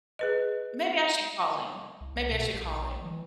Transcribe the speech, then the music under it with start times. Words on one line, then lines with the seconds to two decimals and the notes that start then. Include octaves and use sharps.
Maybe I should call him. Maybe I should call him
0.19 G#4 B4 D#5
2.01 C2
2.31 B2
2.53 A#1
3.05 E3